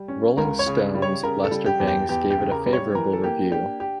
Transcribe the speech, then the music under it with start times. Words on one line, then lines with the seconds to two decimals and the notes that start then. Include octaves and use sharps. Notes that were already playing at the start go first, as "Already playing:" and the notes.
"Rolling Stone"'s Lester Bangs gave it a favorable review.
Already playing: G3
0.08 C#4
0.37 C#2 A#4
0.59 C#5
0.66 C#3
0.94 G3
1.02 C#5
1.23 C#3 A#4
1.44 A4
1.51 G3
1.66 G4
1.80 E2
1.87 G4
2.09 E2 G4
2.30 G4
2.37 C#3
2.52 A#4
2.66 G3
2.73 C#5
2.95 E3 A#4
3.13 A4
3.24 A#3 G4
3.51 D4 G4
3.80 G4